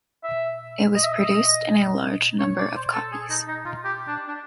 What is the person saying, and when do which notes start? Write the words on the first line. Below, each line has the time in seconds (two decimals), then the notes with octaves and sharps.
It was produced in a large number of copies.
0.24 E5
0.95 D#5
1.03 E5
1.11 D#5
2.39 C#5
2.58 D5
2.76 C5
2.94 A4
3.12 G#4
3.30 D#4
3.48 D#4
3.65 F4
3.85 G4
4.08 D4
4.28 D4